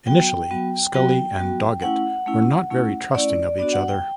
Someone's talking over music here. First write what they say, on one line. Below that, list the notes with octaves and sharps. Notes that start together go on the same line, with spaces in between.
Initially, Scully and Doggett were not very trusting of each other.
F#3 B3 F#4 G5
F#3 B3 F#4
F#3 B3 F#4 G5
F#3 B3 F#4
A3 C#4 E4 F#5
A3 C#4 E4
A3 C#4 E4
A3 C#4 E4 D5
B3 D4 F#4 D5
F#5
G5